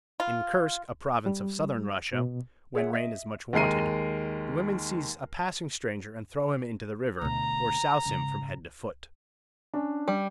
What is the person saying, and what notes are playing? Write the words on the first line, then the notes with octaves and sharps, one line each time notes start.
In Kursk, a province of Southern Russia, when rain is much wanted, the women seize a passing stranger and throw him into the river, or souse him from head to foot.
F4
G3
B2
G#4 C#5 E5 F#5
D#5 E5
D#2 G#3 A#4 C7 D#7
D2 B2 A#5
G#2 C#3
C#4 D4
G3